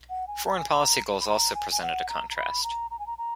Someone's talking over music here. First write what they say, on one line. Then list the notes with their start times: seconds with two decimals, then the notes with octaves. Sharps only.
Foreign policy goals also presented a contrast.
0.09 F#5
0.27 G#5
0.45 A#5
0.57 G#5
0.70 A#5
1.21 B5
1.27 A#5
1.54 G#5
1.72 G#5
1.82 F#5
2.09 A#5
2.30 A#5
2.36 B5
2.63 A#5
2.91 A#5
2.99 G#5
3.07 A#5
3.18 A#5